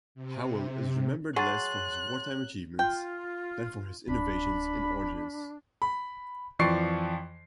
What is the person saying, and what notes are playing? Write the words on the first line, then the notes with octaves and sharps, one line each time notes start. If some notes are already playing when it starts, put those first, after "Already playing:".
Howell is remembered less for his wartime achievements than for his innovations in ordnance.
C3
F#3 G#4 C6 F#6 A6
F4 G5
D1 D4 B5
B5
F2 E3 F3 D5 C#6 C7